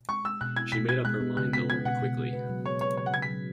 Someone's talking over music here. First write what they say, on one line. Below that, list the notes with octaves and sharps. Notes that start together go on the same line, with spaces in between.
She made up her mind to learn quickly.
G#3 C#6
G#3 E6
B2 F#6
E4 G#6
B2 B6
B2 G#6
G#3 F#6
B3
C#3 F#6
B3 B6
B3 G#6
B2 F#5
B2
B3
B4
F#3
G#4 C#5
B4 C#5
C#3 C#5
F#5
C#3 G#6
B6
F#3